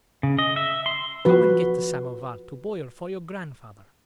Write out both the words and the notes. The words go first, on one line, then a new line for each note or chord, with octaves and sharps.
"Go and get the samovar to boil for your grandfather."
C#3
D#5
E5
C6
F3 F#4 B4